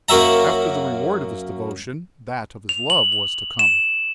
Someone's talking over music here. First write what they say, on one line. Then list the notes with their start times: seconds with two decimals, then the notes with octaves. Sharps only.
After the reward of his devotion, that of his love was to come.
0.09 F#2 A#3 F#4 E5 A#5
2.69 F7
2.90 F#7
3.12 F#7
3.59 E7